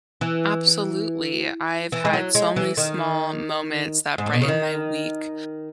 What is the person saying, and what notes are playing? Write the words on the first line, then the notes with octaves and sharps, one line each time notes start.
Absolutely, I've had so many small moments that brighten my week.
E3
E3
G#3
F#3
G#3
E3
D#3
G#2
A2
B2
C#3
D#3